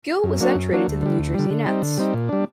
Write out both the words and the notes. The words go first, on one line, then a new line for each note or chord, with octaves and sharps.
Gill was then traded to the New Jersey Nets.
F#2
F#3 A#3 D4 F#4
F#2
F#3 A#3 D4 F#4
D2
D3 G3
D2
D3 G3
D3
G3 C4 D#4
D3
G3 C4 D#4
A#2
G3 D4